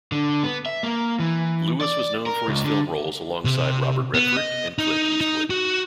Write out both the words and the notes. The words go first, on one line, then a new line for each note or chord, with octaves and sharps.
Lewis was known for his film roles alongside Robert Redford and Clint Eastwood.
D3
B3
E5
A#3
E3
D5
A#4
C#2
D3
C3
B3
D#5
D#4
D#4
F#4